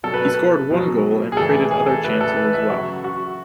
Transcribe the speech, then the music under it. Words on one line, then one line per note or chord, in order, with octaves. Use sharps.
He scored one goal and created other chances as well.
B2 F#3 A4
B4
A4
B2 F#3
G#4
A2 E3 A4
G#4
G#4
A4
A2 E3 B4
A4
B4
E5
C#3 F#3 F#4
F#4